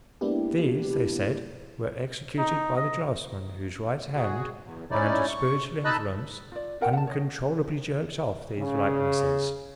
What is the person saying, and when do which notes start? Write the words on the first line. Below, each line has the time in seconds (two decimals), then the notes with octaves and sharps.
These, they said, were executed by the draftsman, whose right hand, when under spiritual influence, uncontrollably jerked off these likenesses.
0.21 G#3 A#3 B3 D4 E4 G4
2.38 D#4
2.76 D#5
4.15 F#4 G#4
4.63 E2
4.91 C#4 D#4 E4 D5
5.29 C#6
5.85 D#4 D#5 A5 B5 E6 F#6
6.52 F4 D5
6.81 F4 A#4 F#5 G5
6.93 F#5 A5
7.07 C#5 D#5
8.59 C#3